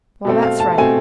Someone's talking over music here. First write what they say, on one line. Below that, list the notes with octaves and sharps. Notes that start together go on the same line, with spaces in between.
Well, that's right.
B2 A3 C4
F5
A5
B2 A3 C4 G#5